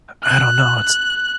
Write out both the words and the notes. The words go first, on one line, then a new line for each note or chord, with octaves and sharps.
I don't know. It's
F#6